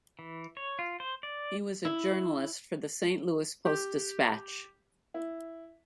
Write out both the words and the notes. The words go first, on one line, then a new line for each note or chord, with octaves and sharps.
He was a journalist for the "Saint Louis Post-Dispatch".
E3
C#5
F4
C5
D5
E4
G4
E4